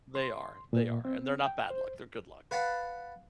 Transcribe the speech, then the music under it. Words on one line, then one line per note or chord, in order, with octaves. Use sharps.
They are, they are, and they're not bad luck, they're good luck.
C6
A#2
C4
G5
C5
B4 F5 F#5 A5 B5